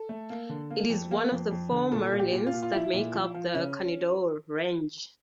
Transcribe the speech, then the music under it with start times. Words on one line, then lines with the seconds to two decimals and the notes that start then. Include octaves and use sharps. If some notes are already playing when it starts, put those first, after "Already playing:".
It is one of the four Marilyns that make up the Carneddau range.
Already playing: A4
0.09 A3
0.30 A#3
0.49 D3
0.70 A#3
0.90 F2
1.11 A#3
1.32 F2
1.51 F2
1.72 D3
1.92 A#2 A4
2.12 A#2
2.19 G4
2.32 A#2
2.47 F4
2.53 A#2
2.63 F4
2.73 F3 E4
2.93 A#2
3.13 F3
3.34 F3
3.54 C#3 C#4